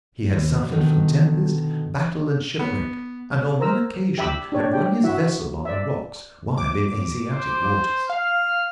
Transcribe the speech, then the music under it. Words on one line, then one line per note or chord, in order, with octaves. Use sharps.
He had suffered from tempest, battle and shipwreck, and on one occasion had run his vessel on the rocks while in Asiatic waters.
D#2
B2 D3 D#3
B3
A#4 C5 A#5 E6
G4 E5 B5 D6 E6
D4 G4 C#5 D5
G4 G5
E4 F#4 E5 F#5
D5 E5
D6
C5
F5 F6